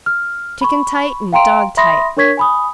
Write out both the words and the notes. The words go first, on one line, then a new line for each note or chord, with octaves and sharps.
Chicken-tight and dog-tight.
F6
B5 C#6
F5 G5 A#5 C6 D7
E5 B5 C6 D#6 A#6
D4 A#4 C#5 C#6 G#6 B6
G#5 B5 D#6